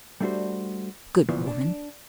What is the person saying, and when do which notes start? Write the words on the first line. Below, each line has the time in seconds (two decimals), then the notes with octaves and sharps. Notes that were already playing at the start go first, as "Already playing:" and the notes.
Good woman!
0.20 G3 A3 D4 F4 F#4 C5
1.29 D2 A#2 E3 F3 B3
1.47 D4